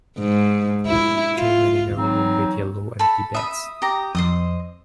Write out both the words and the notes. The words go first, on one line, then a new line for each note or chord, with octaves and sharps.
Two men in a room with yellow empty beds.
G#2
E4
F4
E3 F#3 C4 D#4
A4 B5
E5 B5 D#6
G4 A#5
F2 C5 D#5 D#6